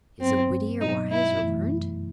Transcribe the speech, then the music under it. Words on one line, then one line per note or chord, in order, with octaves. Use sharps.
Is it witty, or wise, or learned?
G2 F#3 B3 C4
B2 F#3 B3 D#4
E4
F#2 E3 A3 E4